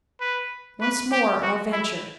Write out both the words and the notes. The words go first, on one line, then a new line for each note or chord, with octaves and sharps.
Once more I'll venture.
B4
B4
G4
F#4
E4